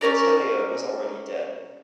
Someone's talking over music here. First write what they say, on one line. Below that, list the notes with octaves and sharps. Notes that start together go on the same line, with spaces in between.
Attilia was already dead.
C#4 D4 A#4 D5